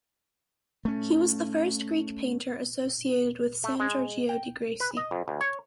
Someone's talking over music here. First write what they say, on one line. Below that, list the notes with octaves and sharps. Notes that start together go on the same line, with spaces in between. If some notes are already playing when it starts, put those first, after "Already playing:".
He was the first Greek painter associated with San Giorgio dei Greci.
A3 C#4
A3
G#3
G5
B4
D#5
F2
D2
C#5